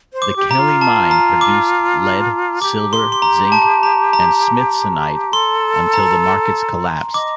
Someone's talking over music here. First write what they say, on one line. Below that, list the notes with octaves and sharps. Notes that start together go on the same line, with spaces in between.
The Kelly Mine produced lead, silver, zinc and smithsonite until the markets collapsed.
C5
D6
G4
A#5
F4
A5
A#5
D6
G4 D6
C6
C6
A#5
A5
A#5
A#5
A4 C6
A#5
D#5 D6